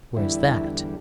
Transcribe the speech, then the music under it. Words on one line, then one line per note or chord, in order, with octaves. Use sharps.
"Where's that?"
E2 D3 G3 E4